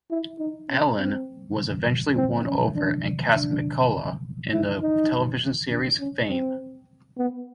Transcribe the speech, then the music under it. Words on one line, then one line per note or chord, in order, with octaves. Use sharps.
Allen was eventually won over and cast McCullough in the television series "Fame".
E4
D#4
C#4
C4
C4
C#4
D4
D4
E4
D#4
D4
C#4
C4
B3